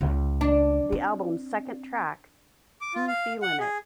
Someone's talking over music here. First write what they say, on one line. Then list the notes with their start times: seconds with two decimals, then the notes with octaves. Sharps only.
The albums second track, Who Feelin' It?
0.01 C#2
0.41 D4
0.92 C4
2.81 D6
2.94 F4
3.07 F5
3.42 F#5
3.60 G#4